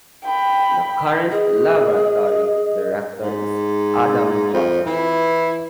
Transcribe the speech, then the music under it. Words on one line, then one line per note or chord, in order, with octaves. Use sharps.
The current Laboratory Director is Adam Hutter.
G5 B5
G#4 D#5
G#2
F2
E3